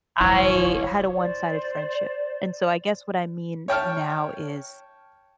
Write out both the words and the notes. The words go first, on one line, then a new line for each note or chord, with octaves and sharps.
I had a one-sided friendship, and so I guess what I mean now is
D#1 G#1 F2 E4 C5 C#5
C5 D5
C#5 G5 A5 F6